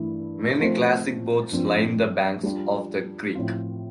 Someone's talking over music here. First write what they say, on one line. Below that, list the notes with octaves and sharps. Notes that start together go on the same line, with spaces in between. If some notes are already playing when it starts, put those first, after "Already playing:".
Many classic boats line the banks of the creek.
Already playing: G2 E3 A3 E4
F3 A3 C4 F4 C5
G2 F3 C4
G3 D4 F4
A2 F3 C4 F4